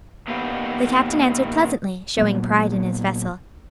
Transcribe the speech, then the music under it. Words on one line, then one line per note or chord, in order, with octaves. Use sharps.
The captain answered pleasantly, showing pride in his vessel.
A#2 D#3 B3 G4 F5 G#5
A#2 F#3 A#3 B3